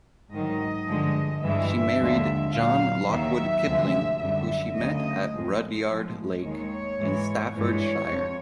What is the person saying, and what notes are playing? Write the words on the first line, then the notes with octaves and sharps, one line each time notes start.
She married John Lockwood Kipling who she met at Rudyard Lake in Staffordshire.
G#2 D#3 F#3 D#5
G2 D3 F3 G#3
G2 E3 G#3 E5
D#2 D3 F3 G#3
A#2 F#3 F5
D#2 D#3 F#3 E5
D2 C3 F3 G#3
F#2 D3 G3 E5
D2 C#3 F#3 D#5
A2 F3 G#3
A2 F3 G#3
D#2 D#3 G#3 C#5
G#2 E3 G#3
G2 E3 G#3 C#5
F2